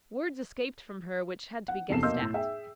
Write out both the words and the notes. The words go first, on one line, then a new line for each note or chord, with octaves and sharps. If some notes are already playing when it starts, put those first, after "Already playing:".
Words escaped from her which had to be guessed at.
F#5
F1 E2 C3 A4 C7 E7
B2 A#3 D#5 C6 E6 G6
A2
G#4 E5 G5